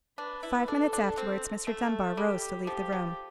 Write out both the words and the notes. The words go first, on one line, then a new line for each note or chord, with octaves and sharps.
Five minutes afterwards Mr. Dunbar rose to leave the room.
D4 B4
E4
D4 A4
D4
C4
A3 A4
G3 G4
F3 G4
F3